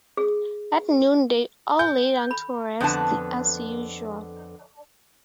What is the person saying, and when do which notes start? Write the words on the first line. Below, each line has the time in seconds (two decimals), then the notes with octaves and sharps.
At noon they all lay down to rest as usual.
0.17 G#4
1.79 G#5 G6
2.31 B5
2.81 F2 D3 B3 A5